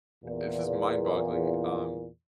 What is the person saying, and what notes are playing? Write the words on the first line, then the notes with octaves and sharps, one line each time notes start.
it's just mind-boggling, um,
E2 A#2